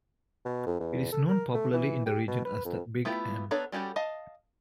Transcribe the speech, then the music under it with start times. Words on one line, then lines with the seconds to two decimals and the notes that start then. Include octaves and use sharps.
It is known popularly in the region as "The Big M".
0.45 B2
0.67 F2
0.80 E2
1.12 A4
1.29 A#4
1.54 A3
1.74 E3
2.06 G4
2.28 B2
2.45 B4
2.65 F2
3.05 A3 B3 E4 F4 G4
3.51 B3 D4 A4 C#5 A#5
3.72 G3 C#4 F#4 G4 A4
3.96 D#5 F5 A5